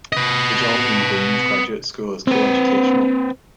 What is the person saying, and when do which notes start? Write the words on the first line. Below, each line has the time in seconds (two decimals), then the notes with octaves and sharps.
The John E. Weems Graduate School is coeducational.
0.13 B4 D#5
2.27 C4 B4